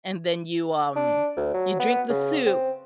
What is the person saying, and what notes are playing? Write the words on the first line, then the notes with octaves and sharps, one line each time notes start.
and then you, um you drink the soup,"
D4
D2
F#3
B3
C#3
C4